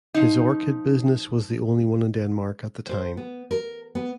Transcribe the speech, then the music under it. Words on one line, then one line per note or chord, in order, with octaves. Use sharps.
His orchid business was the only one in Denmark at the time.
F3 D#4
C5
B3
A#4
B3